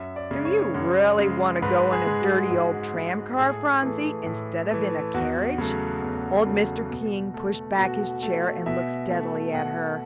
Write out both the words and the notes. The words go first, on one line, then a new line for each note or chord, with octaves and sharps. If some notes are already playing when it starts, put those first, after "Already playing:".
"Do you really want to go in a dirty old tram-car, Phronsie, instead of in a carriage?" Old Mr. King pushed back his chair and looked steadily at her.
Already playing: F#2 E5
D5
C#3 G#3
C#5
F#2
C#3 G#3
G#2 B4
G#4
G#3
F#4
G#2 G#4
G#3
A2 G#4
E3 A3
A2
E3 A3
E2 F#4
C#3 F#3 A3
E2
C#3 F#3 A3
B2
A3
B2 F#4
A3
B2 E5
A3
B2 F#5